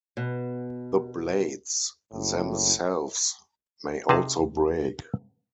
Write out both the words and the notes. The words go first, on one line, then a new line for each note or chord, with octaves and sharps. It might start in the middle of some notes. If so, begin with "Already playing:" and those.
The blades themselves may also break.
B2
F#1 A2
C3 D#4 G#4 A5